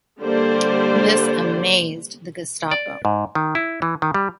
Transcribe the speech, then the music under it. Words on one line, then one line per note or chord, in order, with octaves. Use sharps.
This amazed the Gestapo.
D3 G3 A#3 C5 D5
D5
G#2
D#3
E4
E3
D#3
G3